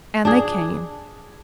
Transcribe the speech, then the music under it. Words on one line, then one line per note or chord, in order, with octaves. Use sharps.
And they came.
D4 G#4